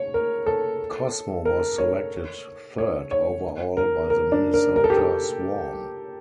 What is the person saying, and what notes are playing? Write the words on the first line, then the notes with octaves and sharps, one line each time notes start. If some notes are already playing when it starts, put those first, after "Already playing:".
Cosmo was selected third overall by the Minnesota Swarm.
Already playing: C#5
A#4
A4
A#4
C#5
C#5
C#5
A#4
A#4
D4
A#4
A#4
A4
G4
A4